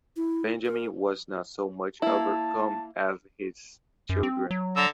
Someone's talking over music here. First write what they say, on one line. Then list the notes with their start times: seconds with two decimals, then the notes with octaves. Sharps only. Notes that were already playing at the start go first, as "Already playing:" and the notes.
Benjamin was not so much overcome as his children.
0.16 E4
0.66 A#4
2.02 A#3 E4 A5
4.09 F#2
4.23 C4
4.51 F#3
4.77 D3 A#5 E6